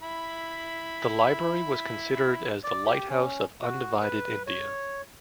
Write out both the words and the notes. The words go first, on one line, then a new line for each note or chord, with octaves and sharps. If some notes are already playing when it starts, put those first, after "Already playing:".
The library was considered as the Lighthouse of undivided India.
E4 B5
D5
G4
C#4
F#4
B4
C#5